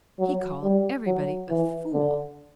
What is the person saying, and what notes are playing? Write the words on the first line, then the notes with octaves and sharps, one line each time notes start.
He called everybody a fool.
F#3
G3
F#3
E3
D3